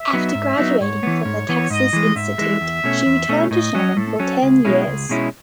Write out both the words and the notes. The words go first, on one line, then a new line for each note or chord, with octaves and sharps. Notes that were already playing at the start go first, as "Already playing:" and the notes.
After graduating from the Texas Institute, she returned to Sherman for ten years.
Already playing: E5
F#3 B3 D#4
G#2
F#3 B3 D#4
G#2 C#5
E3 B3
G#2
E3 B3
G#2 D#5
E3 G#3
G#2 E5
E3 G#3
E2
B2 A3 C#4
E2
B2 A3 C#4
A2 D#5
F#3 C#4
A2 A4
F#3 C#4
C#2 G#4
B2 G#3 C#4 E4
C#2
B2 G#3 C#4 E4